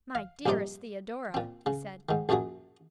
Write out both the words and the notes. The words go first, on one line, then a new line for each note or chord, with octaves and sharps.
"My dearest Theodora," he said.
F5
A#1 G2 C3 D#4 D5 C6
A#2 C4
C#3
G#2 D#3
A#1 F#2 A#2 F#3 G#4